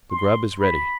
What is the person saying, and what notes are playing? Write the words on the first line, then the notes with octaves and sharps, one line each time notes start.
The grub is ready.
C6
B5